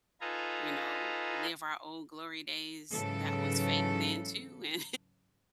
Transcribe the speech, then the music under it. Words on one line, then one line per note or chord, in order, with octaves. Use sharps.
you know, live our old glory days that was fake then too, and,
D#4 F4 A4 B4 G#5 A#5
G#2 C#3 E3 F#3 A4